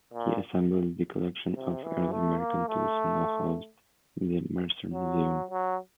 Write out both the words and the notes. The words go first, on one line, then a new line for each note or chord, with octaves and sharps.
He assembled the collection of early American tools now housed in the Mercer Museum.
A#2
C3
E3
A3
A#3
A3
F#3
F#3